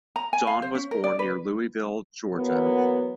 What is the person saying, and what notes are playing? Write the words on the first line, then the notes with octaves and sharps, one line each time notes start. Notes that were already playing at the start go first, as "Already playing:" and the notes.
John was born near Louisville, Georgia.
A#5
G#5
F5
C5
C#4
A#4
D5
B4
E3 F#3 A#3 B3